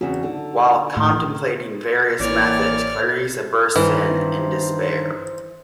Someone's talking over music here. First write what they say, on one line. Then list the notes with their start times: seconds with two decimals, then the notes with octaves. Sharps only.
While contemplating various methods, Clarisa bursts in in despair.
0.01 E2 C#3 C4 F#4
0.23 D3 D#4 A4
0.97 A2
2.20 A1 E3 A#3 C#5 D5 F6
3.76 G2 D#3 E3 C5